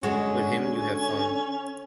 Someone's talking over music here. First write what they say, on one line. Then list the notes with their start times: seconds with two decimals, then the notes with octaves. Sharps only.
With him, you have fun.
0.03 D3 G#3 C#4 F#4